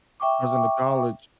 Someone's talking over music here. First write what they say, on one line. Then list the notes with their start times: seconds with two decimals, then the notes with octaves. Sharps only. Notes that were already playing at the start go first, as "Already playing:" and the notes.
I was into college,
0.20 E5 G5 C#6 D6